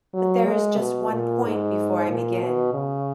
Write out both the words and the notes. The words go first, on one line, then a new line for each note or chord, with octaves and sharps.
But there is just one point before I begin.
F#3
G#3
B2
A#2
G#2
A#2
B2
C#3